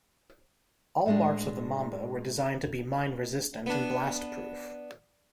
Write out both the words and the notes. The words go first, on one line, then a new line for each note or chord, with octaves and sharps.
All marks of the Mamba were designed to be mine-resistant and blastproof.
A2 G#3 D4
B3 D4